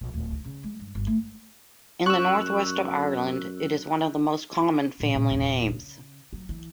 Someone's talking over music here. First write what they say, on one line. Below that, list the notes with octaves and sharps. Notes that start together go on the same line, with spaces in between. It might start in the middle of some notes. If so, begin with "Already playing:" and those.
In the northwest of Ireland it is one of the most common family names.
A#1
D1
D2
C#3
G#3
G2
G1
A3
F#2 C#6 E6 F#6
A#2 F3
A#2 G#3
D#1 E2
C#3
F#3
E3